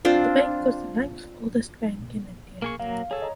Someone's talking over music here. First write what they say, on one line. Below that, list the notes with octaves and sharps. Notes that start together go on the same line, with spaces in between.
The bank was the ninth oldest bank in India.
C4 D4 F4 C5
A#3 G#4 C#6
F#3 A#3 F5
G#4 A4 C#5
D#5 A#5